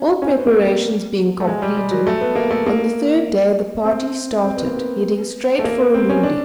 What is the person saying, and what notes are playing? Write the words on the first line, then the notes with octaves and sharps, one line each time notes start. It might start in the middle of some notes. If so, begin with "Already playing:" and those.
All preparations being completed, on the third day the party started, heading straight for Ulundi.
Already playing: C#4
C#4
C4
B3
A#3
A3
G#3
G3
G3
F#3
A3
B3
A#3
A3
A#3
C4
C4
B3
A#3
B3
A3
A#3
B3
C4
C#4
D4